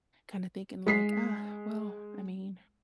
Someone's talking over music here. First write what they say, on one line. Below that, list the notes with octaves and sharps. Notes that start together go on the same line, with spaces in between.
kinda thinking like, "Uh, well," I mean,
G#3 B6 C7